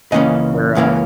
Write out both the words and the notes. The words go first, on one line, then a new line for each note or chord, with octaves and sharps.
where, uh
C#2 C#3 E3 A#3 C#4 D#5
C#2 C#3 E3 A#3 C#4